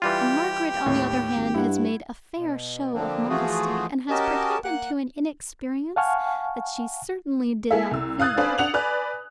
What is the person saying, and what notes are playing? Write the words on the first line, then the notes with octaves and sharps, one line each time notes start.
And Margaret, on the other hand, has made a fair show of modesty, and has pretended to an inexperience that she certainly did not feel.
E3 G3 F4 G4
D#2 A2 C#5
G#1
G2 E4 F#5
B2
D3 F3 A#3 C4 D4
E3 F3 A3 F4 F#4 G#4
C#4 F#4 G4 A#4 D#5 A5
A#3 F#5 F#6
F5 F#5 G#5 A5 C#6 F6
A#3 E4 G#4 A4 E5
C2 E6
F5 D#6 F#6 G#6 A6
D4 B4 C5 F5 G#5
D4 F#5 F7 F#7
B4 D5 G#5 F#6